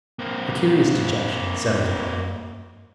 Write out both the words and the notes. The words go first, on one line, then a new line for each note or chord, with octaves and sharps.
A curious dejection settled upon Robin.
A#3 C4